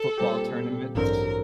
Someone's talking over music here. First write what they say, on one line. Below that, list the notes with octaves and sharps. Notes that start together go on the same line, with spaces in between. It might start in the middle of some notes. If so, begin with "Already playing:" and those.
football tournaments.
Already playing: A4
A#2 G3 C4 G4
A1 G2 D3 F#3 C4 A#4